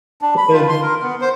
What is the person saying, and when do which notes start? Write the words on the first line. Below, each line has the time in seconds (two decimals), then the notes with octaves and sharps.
and s
0.22 D4
0.37 B5
0.54 F4
0.69 C6
0.82 A#4
1.02 B3
1.21 C5